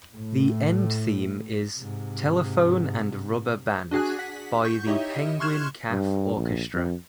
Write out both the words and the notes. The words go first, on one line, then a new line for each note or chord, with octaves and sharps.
The end theme is "Telephone and Rubber Band" by the Penguin Cafe Orchestra.
A2
G#2 C3
D4 F#4 G#4 G#5 F#6
F#5 B6
C#6 G6
D#4 E4 G4 C#5 D#5 E5
C6 C#6 F6 F#6 G#6 E7
G2
A#1
F2